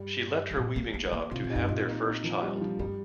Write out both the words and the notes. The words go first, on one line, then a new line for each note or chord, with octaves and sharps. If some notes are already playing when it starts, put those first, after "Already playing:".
She left her weaving job to have their first child.
Already playing: G2 G3
G2
A#2
A#3
A#3
G3
A#3
C3 C4 F4
A#2
D#4 G4
G2
A#2 C4 F4
A#3 D#4
A#3 D#4
F3 A#3
G3
G3
F3
G2 G3